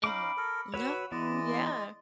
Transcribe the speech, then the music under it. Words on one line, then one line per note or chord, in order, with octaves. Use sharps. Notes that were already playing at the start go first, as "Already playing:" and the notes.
Mhm. No. Yeah.
C#4 D#4 F5 B5 D6
A4 A#4
F#4 B4 C#5 B5 E6
E3 G#3 B3 E4 D5 D#5